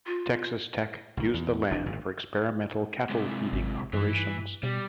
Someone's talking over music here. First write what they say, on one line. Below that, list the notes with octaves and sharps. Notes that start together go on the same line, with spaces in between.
Texas Tech used the land for experimental cattle-feeding operations.
F4
B1 D#3
E2
F#1 D4
G#1 A#2
C3 G#3
G#1
G2 E3
B2 G3